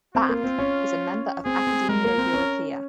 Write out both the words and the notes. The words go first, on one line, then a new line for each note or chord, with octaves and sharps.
Back is a member of Academia Europaea.
C4 F4
A#3
C4
C#4
C4 G#4
C4
G#3 A#4
A#3
C4
C#4